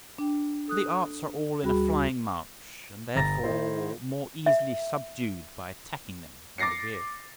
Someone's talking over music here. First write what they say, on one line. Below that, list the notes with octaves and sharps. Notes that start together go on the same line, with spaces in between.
For the arts are all in a flying march, and therefore more easily subdued by attacking them in the rear.
D4 G5
A4 D#6 F#6
D2 G3 F#4 G#4 B5
G1 A#5 A6 A#6
D#3 D#4 E4 C5
E5
D6 A6 A#6 C7 C#7